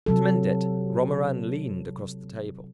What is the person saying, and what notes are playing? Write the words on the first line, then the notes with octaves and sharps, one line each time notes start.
To mend it, Romarin leaned across the table.
C3 F#3 A4